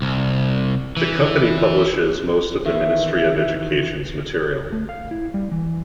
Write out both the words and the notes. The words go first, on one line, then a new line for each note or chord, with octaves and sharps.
The company publishes most of the Ministry of Education's material.
C2
E3
D#3 E3 E5
A3
F5
E4
G3
E3